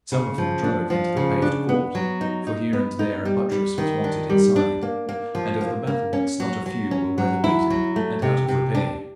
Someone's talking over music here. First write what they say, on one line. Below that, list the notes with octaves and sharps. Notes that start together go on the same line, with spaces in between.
Some of them drove into the paved court, for here and there a buttress was wanted inside, and of the battlements not a few were weather-beaten and out of repair.
C#3
F3
D4
F3
C#3
D4
B3
F#3
D#4
D#4
B3
D#4
G3
G3
D#3
D4
G3
D4
A#3
A#3
F3
A#3
A#3
C#4
F#3
F#3
C#4
F#3
E4
F#3
A3
C3
C3
D4